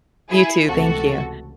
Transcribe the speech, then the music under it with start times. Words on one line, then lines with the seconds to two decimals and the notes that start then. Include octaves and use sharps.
You too. Thank you.
0.30 E4 G#4
0.67 C#2 C3 E3 A3 F#4 A4